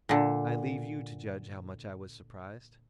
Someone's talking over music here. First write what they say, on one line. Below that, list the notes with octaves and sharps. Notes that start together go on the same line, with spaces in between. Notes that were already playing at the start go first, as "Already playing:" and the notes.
I leave you to judge how much I was surprised.
A#2 D3